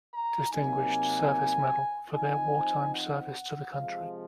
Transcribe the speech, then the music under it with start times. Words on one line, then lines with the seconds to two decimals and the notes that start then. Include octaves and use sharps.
Distinguished Service Medal for their wartime service to the country.
0.11 A#5
0.51 C3 F#3 A#3 D#4 G#5
2.12 F3 C4 D#4 G#5
2.92 F#5
3.72 C3 F3 G#3 F5